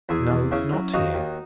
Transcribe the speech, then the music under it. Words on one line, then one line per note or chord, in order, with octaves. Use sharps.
No; not here.
E2 E4 G#4
E2
C#3 C#4 E4
F#3
D#2 D#4 F#4
D#2